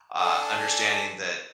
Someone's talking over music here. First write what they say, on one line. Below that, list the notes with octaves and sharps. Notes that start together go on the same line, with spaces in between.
uh, understanding that,
D4 A4 G#5